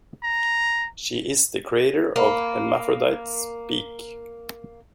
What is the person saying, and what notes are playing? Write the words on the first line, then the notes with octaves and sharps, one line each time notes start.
She is the creator of Hermaphrodites Speak!
A#5
A#3 A#4 A#5 B5